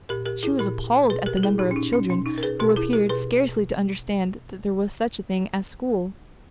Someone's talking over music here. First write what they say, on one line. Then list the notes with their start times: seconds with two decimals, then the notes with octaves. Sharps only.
She was appalled at the number of children who appeared scarcely to understand that there was such a thing as school.
0.09 A#2 G4 A#4
0.26 G4 A#4
0.43 E4 G#4
0.59 A#2 G4 A#4
1.10 B2 G#4 B4
1.26 G4 A#4
1.37 G4
1.43 E4 G#4
1.59 A#2 D#4 G4
1.71 C#4
1.76 D#4
1.93 C#4
2.10 B2 C#4
2.26 D#4
2.38 A#4
2.43 G#4 B4
2.60 B2 G4 A#4
2.70 A#4
2.76 E4 G#4
2.93 G4 A#4
3.10 B2 G#4 B4